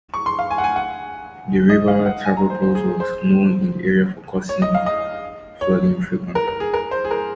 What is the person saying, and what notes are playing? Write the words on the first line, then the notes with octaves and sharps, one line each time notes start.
The river Tavropos was known in the area for causing flooding frequently.
C#6
C6
F5
G#5
F#5
G#5
F#5
D#5
F5
F#5
G#5
A#5
C5
C5
G#4
C5
C#5
D#5
F5
D#5
C#5
A#4
A#4
G#4
A#4
C5
G#4
A#4